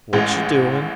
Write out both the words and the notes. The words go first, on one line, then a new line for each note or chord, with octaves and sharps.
"What you doin'?"
A1 A2 G#3